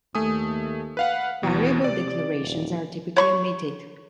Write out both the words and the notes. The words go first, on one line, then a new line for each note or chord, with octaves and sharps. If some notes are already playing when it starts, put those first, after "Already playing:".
Variable declarations are typically omitted.
D#2 A3 G#5 D#6
B4 F5 F#5
D#2 B2 E3
C3 D5
D#1
C#5 B5 C#6